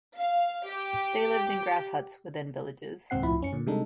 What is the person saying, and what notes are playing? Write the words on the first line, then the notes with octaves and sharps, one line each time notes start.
They lived in grass huts within villages.
F5
G4
D#2 G#2 C3 C4 F#5 C7
C2 A2 C3 F3 E4 B5
F#2 C#4 C#7
A#2 D3
C3 G3 G#3 D4 D#4 A4